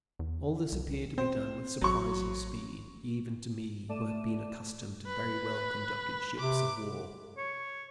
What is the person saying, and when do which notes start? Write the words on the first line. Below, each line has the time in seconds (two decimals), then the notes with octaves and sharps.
All this appeared to be done with surprising speed, even to me who had been accustomed to very well conducted ships of war.
0.19 E2
0.72 C2
1.18 C4 C5
1.82 A1 F#3 C#6
3.89 A3 D5 A5 D6 D#7 E7
5.06 B4
6.39 C3 D6
7.37 C#5